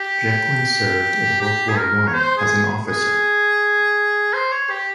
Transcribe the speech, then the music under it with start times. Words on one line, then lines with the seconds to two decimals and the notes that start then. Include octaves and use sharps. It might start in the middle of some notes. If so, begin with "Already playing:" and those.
Jeckeln served in World War One as an officer.
Already playing: G4
1.41 G4
1.69 G#4
1.77 A#4
2.07 C#5
2.14 C5
2.38 G#4
2.87 G#4
4.33 C5
4.52 C#5
4.70 G4